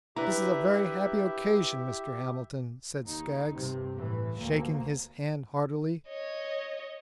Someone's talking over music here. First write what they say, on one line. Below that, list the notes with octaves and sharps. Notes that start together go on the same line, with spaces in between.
"This is a very happy occasion, Mr. Hamilton," said Skaggs, shaking his hand heartily.
D4 E4 G4 B4 E5 A#5
D#2 D#4
G2 C3
A2 E3
D2 A#3
C#5 D#5